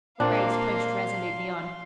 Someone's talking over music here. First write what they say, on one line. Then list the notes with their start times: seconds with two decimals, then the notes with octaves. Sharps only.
Grace pushed resolutely on.
0.20 A#2 A#3 C4 D4 F5 C6